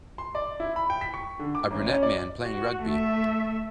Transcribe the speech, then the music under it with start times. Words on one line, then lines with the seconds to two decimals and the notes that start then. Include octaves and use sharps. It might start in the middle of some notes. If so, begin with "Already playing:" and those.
A brunette man playing rugby.
0.18 C6
0.35 D5
0.60 E4
0.76 B5
0.90 G5
1.01 B6
1.14 C#6
1.39 D3
1.55 D6
1.71 A1
1.86 C#4
2.03 D5
2.42 F#4
2.84 A3 E5